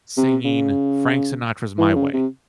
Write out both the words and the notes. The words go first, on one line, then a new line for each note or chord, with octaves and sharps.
singing Frank Sinatra's "My Way."
C3
C#3
E3
C#3
C3